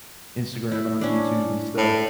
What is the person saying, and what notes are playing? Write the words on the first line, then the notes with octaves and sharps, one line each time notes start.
Instagram and on YouTube and stuff.
E4
C#4 D4
A2